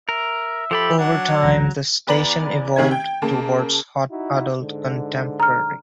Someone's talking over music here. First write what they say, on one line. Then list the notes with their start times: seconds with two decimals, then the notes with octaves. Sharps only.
Over time, the station evolved towards hot adult contemporary.
0.09 A#4 E5
0.71 F3 G4 A4 B5
0.99 F#3 D4 F#5
1.43 G#1 C#2 E3 A#5
2.07 E2 B4 D5 A#5 F#7
2.76 C3 D#3 C#4 G#6
2.91 G5
3.22 C#3 A#3 A5
4.10 D#4 E4 F#4
4.59 G#2 D3
5.40 A#5 F6